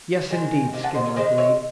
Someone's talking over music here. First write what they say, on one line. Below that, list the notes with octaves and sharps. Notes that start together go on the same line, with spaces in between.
"Yes, indeed," Skinner agreed.
D#3 G#3 C4 D#4
C3 D#3
F#5 A5
C5 D#5
A4 C#5
D#3 G#3 D#4 C5 D#5
C#5 E5